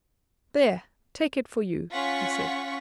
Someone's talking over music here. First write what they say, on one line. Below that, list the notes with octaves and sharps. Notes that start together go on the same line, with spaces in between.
"There, take it for you," he said.
C#4 F4 F#5 C#6 B6